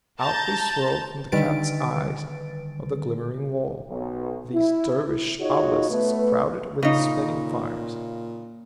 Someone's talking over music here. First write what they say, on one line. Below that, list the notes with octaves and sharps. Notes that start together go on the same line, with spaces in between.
Out they swirled from the cat's eyes of the glimmering wall, these dervish obelisks crowded with spinning fires.
A5 A#5 G6 A6
D3 D#3 G3 B4 A6 D7
B1
E4
D#4 F4 F#4 G#4 C#5 D#5
A3 B3 B4
A#2 C#3 D#4